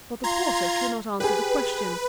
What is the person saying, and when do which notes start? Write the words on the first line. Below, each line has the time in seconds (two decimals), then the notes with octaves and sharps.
But the porter could not answer the question.
0.24 F4 A#5 C6 G#6
1.20 G4 G#4 B4 G5